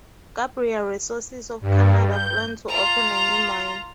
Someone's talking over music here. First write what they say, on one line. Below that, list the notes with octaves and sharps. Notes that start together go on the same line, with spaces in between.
Gabriel Resources of Canada plan to open a new mine.
G2
G6
F4 A#5